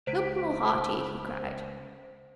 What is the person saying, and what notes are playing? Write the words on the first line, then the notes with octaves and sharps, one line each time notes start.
"Look more hearty!" he cried.
C#2 C5 B6 D7